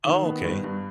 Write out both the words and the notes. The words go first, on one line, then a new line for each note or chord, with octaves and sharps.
Oh, okay.
D#3
B3
G2
G2